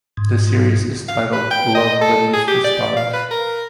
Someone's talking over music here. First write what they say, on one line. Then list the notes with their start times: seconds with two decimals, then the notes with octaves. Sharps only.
The series is titled "Love Beneath The Stars".
0.17 G#2
1.08 F5
1.33 B4
1.51 G5
1.75 D#5
2.01 A4
2.33 G#4
2.48 G4
2.64 D5
2.97 F5
3.13 B4
3.31 A#4